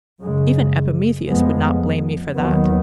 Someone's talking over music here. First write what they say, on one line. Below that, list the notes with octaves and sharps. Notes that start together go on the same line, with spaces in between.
Even Epimetheus would not blame me for that.
F#2 C#3 G#3
F1 F2 F3 G#3 B3
D#2 D#3 F#3 B3